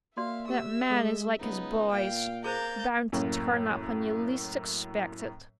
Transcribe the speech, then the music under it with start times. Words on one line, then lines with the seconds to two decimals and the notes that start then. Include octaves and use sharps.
That man is like his boys--bound to turn up when you least expect it.
0.17 A#3 F#4 D5 E5 F5 C6
0.48 G4 E6
0.90 G#3 A4
1.39 C#2 B3 D#4
1.92 A#2 F5 G5
2.44 A#3 G#4 A#4 C5 A#5 G6 A6
3.12 F#2 A2 A#3